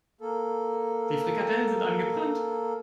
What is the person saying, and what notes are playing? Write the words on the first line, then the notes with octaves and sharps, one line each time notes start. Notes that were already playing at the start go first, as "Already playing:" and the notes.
Die Frikadellen sind angebrannt.
A#3 A4